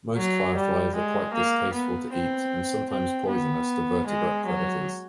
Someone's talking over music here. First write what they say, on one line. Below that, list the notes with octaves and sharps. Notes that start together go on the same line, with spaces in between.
Most fireflies are quite distasteful to eat and sometimes poisonous to vertebrate predators.
F#3
G3
G#3
A#3
B3
C4
C4
B3
G#3
F#3